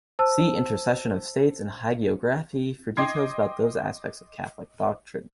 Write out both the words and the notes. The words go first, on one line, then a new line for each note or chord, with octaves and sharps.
See Intercession of saints and Hagiography for details about those aspects of Catholic doctrine.
C5 A5 E6
D#5 G5 C6 D6 G#6 C7